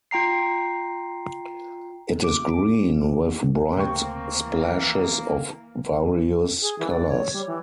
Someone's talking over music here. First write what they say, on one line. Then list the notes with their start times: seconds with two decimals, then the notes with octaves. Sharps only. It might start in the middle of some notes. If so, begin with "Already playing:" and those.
It is green, with bright splashes of various colours.
0.11 F4 G5 A#5 C7
2.24 D6
3.77 D2 C#3 A3 A#3 C4 G5 C#6
4.44 E3
6.62 G#4
6.79 E3
6.91 D5
7.08 C#5
7.33 G3
7.47 E3